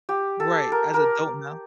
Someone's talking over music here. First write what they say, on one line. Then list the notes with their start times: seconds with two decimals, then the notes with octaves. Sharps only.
Right, as a adult now
0.09 G4
0.40 A4
0.72 A#4
0.94 A#4